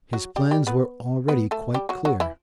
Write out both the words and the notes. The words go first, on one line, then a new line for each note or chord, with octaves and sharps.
His plans were already quite clear.
F#3 F#4
G3 G4
G3 G4
B3 B4
B3 B4
A3 A4
G3 G4
F#3 F#4
F#3 F#4
E3 E4